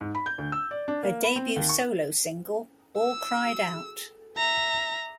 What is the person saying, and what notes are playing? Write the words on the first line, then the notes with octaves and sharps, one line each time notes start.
Her debut solo single, All Cried Out!
G#2
B5
G6
D2
E6
D5
D4
A#3
B5
C4
D#2
C#6
E6
E5 A#5